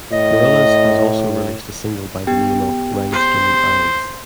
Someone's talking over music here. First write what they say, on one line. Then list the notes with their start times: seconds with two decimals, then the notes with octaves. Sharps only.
Gorillaz has also released a single by the name of "Rhinestone Eyes".
0.12 A2 D#5
2.27 B3 G4 G5
3.12 C5